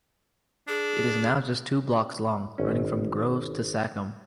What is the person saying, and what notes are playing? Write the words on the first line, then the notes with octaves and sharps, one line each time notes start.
It is now just two blocks long, running from Grove to Sachem.
D4 G#4
G#1 C#4